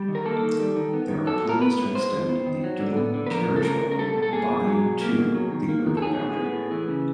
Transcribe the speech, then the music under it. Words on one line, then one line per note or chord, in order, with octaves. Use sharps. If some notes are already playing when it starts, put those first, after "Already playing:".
There are plans to extend the dual carriageway by to the urban boundary.
Already playing: G3
D#3
A#4
A#3 A4
D#3
G3
D#3
B3
D#3
F#3 A4
A2
A#4
B3 B4
A2
G#3 C5
D#3
B3
D#3
F#3
D3
B3
D3
B4
F3 A#4
C#3
A4
A3 A#4
C#3
A#4
G3 A4
B2
A4
A#3 G#4
B2
F#3
B2
A#3
B2
F#3
D#3
A#3
D#3
A4
F#3 G#4
A2
B3
A2
E3
C#3